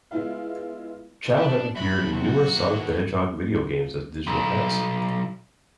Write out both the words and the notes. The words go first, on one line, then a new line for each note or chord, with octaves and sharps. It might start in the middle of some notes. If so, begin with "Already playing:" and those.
Chao have appeared in numerous "Sonic the Hedgehog" video games as digital pets.
G#3 B3 E4 F4 F5
D4 B4
F#2 F#3 E5 B5
C3 F#4
D#3 A#3 B3
B1